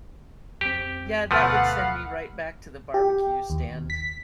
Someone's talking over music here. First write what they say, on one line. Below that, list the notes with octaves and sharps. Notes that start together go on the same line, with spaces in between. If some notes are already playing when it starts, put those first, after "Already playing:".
Yeah, that would send me right back to the barbecue stand
F2 C4 G4
D2 B2 F3 A3 B4 F5 F#5
G4
D#2
B6